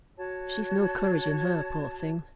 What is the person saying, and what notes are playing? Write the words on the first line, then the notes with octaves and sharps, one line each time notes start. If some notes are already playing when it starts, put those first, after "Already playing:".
She's no courage in her, poor thing!'
F#4 C#5 A5